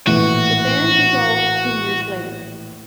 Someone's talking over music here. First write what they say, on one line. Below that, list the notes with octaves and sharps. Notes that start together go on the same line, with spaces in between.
The band dissolved two years later.
A#1 A2 E3 F#4